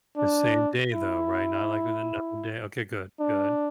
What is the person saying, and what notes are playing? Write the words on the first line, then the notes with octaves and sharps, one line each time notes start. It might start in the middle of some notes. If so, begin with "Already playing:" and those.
The same day, though, right, not like with another day. Okay. Good. Good.
D4
E4
D4